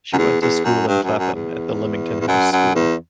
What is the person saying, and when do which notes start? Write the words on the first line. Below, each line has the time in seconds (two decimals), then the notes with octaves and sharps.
She went to school in Clapham at the Lymington House School.
0.13 F#2
0.18 E2
0.41 E2
0.64 F#2
0.87 G2
1.03 F#2
1.18 F#2
1.34 E2
2.20 E2
2.27 F#2
2.52 F#2
2.75 E2